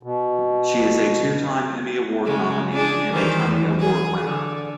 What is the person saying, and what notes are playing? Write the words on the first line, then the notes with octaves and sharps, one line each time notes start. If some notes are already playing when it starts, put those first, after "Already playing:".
She is a two-time Emmy Award nominee and a Tony Award winner.
B2
C#3 G#3
D4 G#4
D#3 E3 C5
E2
G#4
D3